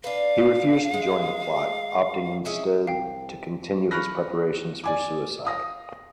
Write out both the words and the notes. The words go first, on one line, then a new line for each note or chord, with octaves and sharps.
He refused to join the plot, opting instead to continue his preparations for suicide.
D4 B4 F5
G#3
G#3 C#4 E4
C2 F5 G5
B5 C#6 F6 F#6 A#6
D5 G#5 D6
F5 D#6 A#6